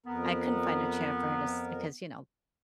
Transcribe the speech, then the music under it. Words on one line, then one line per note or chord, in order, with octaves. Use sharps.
I couldn't find a chair for her to si because, you know,
F2 B3 A#4